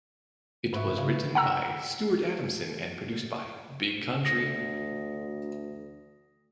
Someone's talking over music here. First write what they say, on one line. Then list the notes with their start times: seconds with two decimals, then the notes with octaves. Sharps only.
It was written by Stuart Adamson and produced by Big Country.
0.73 G#2 B4 C#5 E5
0.98 C#3
1.35 F#5 G5 A#5 E6
4.25 D2 D#6 A#6